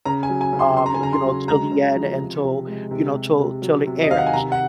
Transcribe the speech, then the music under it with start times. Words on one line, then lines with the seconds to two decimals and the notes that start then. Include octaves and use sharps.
um you know, till the end until you know, till till it airs.
0.05 C#3 A#5
0.23 G#5
0.30 F#3
0.41 G#5
0.53 C#3
0.59 C6
0.77 C#3 C6
0.86 A#5
0.94 G#5
1.00 C#3 A#5
1.13 C6
1.25 F#3
1.48 G#3 A#5
1.72 C#3
1.95 F3
2.20 C3
2.44 C3
2.67 G#3
2.91 C3
3.15 C3
3.39 C3
3.62 F#3
3.86 C3
4.03 D#5
4.11 D#3 F5
4.18 F#5
4.27 G#5
4.33 C3 A#5
4.52 F#5